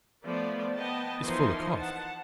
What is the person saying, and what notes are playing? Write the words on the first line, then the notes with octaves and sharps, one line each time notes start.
It's full 'a coffee.
F3 A3 B3 D5
B3 D#5 G5 A5
E3 F3 D#4 A#4 C6
F#5 A5